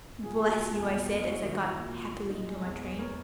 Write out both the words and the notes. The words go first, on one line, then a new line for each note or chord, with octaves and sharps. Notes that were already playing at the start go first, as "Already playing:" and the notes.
"Bless you," I said, as I got happily into my train.
A#2 G#4
A#2 G#4
F#4
A#2
E2 G#4
B2
A#3
E4 F#4
D#3
F#4
E4
A#2
A#2
A#2
D#4
G#3
E2
B3 G#4
B3 A#4 C#5